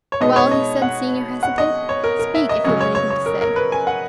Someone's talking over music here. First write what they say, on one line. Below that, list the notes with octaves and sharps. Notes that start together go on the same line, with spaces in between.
"Well," he said, seeing her hesitate, "speak, if you have anything to say."
C#5
B2 G#3 B3 D#4 D#5
C#5
D#5
F#5
F#5
D#5
C#5
A#4
A#4
E5
D#5
C#3 F#3 C#4 D#5
C#5
C#5
C#5
A#4
A#4
B4
G#5
F#5